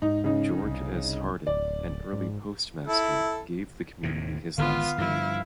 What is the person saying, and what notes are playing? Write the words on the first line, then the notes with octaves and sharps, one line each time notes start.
George S. Harden, an early postmaster, gave the community his last name.
G#2 D#4
C#3 D#4
C2
D1 D5
G#2
E4 A4
D#2 A2 C3
G#1 D3 B3 F4 F5
G2 F3 E4